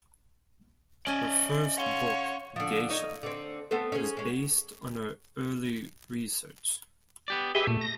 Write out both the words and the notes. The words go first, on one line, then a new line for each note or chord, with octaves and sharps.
Her first book, "Geisha", was based on her early research.
C#4 D5 D#5 G#5 A5
C#5 F5 F#5 C6
D3 F3
D#4 C#5
D3 C4
B3 C4 A4
C#4 G#4
G#3 C#4
B3 G4 D5
G4 G#4 B4 D#5 E5
A#2 A3
A#6